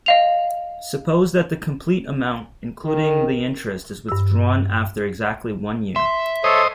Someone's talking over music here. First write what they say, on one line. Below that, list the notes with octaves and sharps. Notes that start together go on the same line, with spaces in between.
Suppose that the complete amount including the interest is withdrawn after exactly one year.
D#5 F5 F7
D#3
G2 E6
E5 C6
A4 C5 C#5 D#5